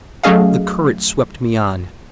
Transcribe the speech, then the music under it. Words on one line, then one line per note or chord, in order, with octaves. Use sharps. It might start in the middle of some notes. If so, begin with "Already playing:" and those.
The current swept me on.
F#3 A3 C#4 G#4 D#5 F5